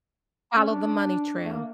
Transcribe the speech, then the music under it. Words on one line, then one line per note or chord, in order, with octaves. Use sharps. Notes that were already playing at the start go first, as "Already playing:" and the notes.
Follow the money trail.
C#4
D4
A3
A#3